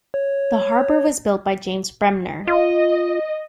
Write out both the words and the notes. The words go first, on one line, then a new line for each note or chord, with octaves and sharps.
The harbour was built by James Bremner.
C#5
F4 D#5